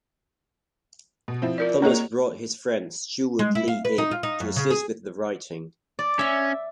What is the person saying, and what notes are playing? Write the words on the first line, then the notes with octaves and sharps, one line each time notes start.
Thomas brought his friend Stewart Lee in to assist with the writing.
B2
F3 C4 E4
F4 A#4 D5
A#3 G#4 A#4 C#5 D#5 F7
G#3
E4
F5
B4
D#4
F4
D#4
F#2
C#3
G#4
D5
C#4 E5